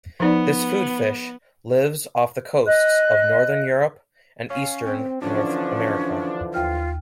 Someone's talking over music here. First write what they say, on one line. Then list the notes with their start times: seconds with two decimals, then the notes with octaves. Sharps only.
This food fish lives off the coasts of northern Europe and eastern North America.
0.20 F3 B3 D#4 D5
2.66 D#5 F#6
4.50 C#4 F5
4.85 C4 G5
5.22 D3 E3 F3 C#4 D4
6.54 D#2 F4 G5 F6